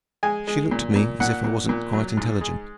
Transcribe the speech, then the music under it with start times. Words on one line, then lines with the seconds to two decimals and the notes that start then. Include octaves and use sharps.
She looked at me as if I wasn't quite intelligent.
0.23 G#3 G#5
0.47 G#3
0.71 A#2
0.96 A#2
1.20 A#2 F#5
1.44 A#2
1.69 A#2
1.93 F#3
2.17 G#2
2.41 G#3